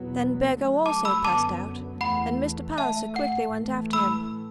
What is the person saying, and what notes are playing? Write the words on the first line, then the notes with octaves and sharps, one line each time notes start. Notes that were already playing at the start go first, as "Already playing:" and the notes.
Then Burgo also passed out, and Mr. Palliser quickly went after him.
Already playing: E2 B2 F#3 B3
D2 D3 F#3 A3
A5 D6
B5 E6
F#2 D3 F#3 B3 A5 D6
E2 E3 A3 F#5 B5
A2 A3 E5 A5
F#5
A2 E3 A3
B5 E6